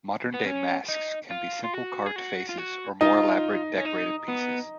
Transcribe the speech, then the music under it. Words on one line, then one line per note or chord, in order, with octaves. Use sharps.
Modern day masks can be simple carved faces or more elaborate decorated pieces.
B3
C#4
D#4
F4
F4
F#4
G#4
F#4
F4
F#4
D#4 F4
C#4
D#4
B3